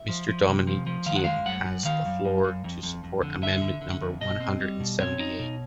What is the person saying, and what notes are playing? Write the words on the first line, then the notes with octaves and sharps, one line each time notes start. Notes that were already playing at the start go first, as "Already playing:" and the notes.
Mr. Dominique Tian has the floor to support amendment number one hundred and seventy-eight.
Already playing: E5
F3
F3
C3
F3
F3
D#3 F5
F#5
G#3 F5
F#2 F#5
F#2
D#3 F5
F#2
F#2
F#2
F2
F2
F2
D3
D3 E5
D3
D3
F2
B2 D#5
C4
G3
B2
C4 C#5
D#4
B2